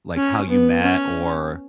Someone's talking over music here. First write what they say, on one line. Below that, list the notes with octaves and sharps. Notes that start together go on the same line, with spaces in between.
like how you met or
C#4
B3
C#4